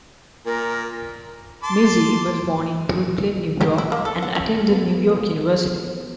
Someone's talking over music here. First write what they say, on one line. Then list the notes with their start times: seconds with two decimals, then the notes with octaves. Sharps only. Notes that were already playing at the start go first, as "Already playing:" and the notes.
Mizzy was born in Brooklyn, New York, and attended New York University.
0.46 A#2 A#4
1.63 A5 C6 D6
3.61 G4
3.78 E4
3.92 A#3
4.05 A4
4.23 F#5
4.35 C#4
4.69 G#3 B3 F4 A4